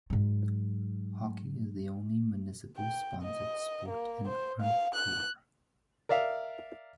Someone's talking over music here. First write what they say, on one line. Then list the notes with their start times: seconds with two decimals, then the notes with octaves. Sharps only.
Hockey is the only municipally sponsored sport in Arnprior.
0.10 G#2 F#3
2.77 G5
3.22 D#5
3.89 A#3
4.28 C5
4.61 F5
4.95 F#6
6.09 A#4 D5 E5 F5